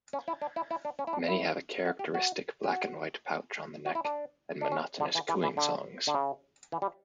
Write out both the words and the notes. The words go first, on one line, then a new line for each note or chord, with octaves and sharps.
Many have a characteristic black-and-white patch on the neck, and monotonous cooing songs.
C#4
E4
D4
E4
E4
D4
C#4
E4
D4
E4
F#4
G4
F#4
G4
F#4
F#4
E4
D4
D4
C#4
D3
E3
E3
E3
D3
D3
C#3
E3
G3